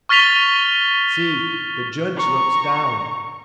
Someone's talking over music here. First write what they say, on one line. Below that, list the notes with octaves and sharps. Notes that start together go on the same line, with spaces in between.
See! the Judge looks down ...
C#6 F6 A6 B6 F7 G7
A#5 C#6